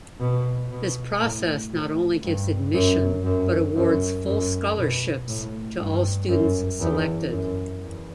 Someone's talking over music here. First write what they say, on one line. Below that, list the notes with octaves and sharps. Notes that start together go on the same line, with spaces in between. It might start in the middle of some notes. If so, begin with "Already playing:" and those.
This process not only gives admission but awards full scholarships to all students selected.
B2
B2
A2
A2
G2
F#2
F#2
F#2
F#2
B2
A2
G2
F#2
E2
F#2
E2